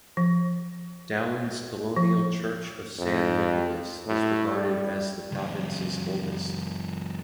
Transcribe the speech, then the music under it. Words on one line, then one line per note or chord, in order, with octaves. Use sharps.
Dauin's colonial Church of San Nicolas is regarded as the Province's oldest.
F3
F3
F2
A2
G3
C#2 F#2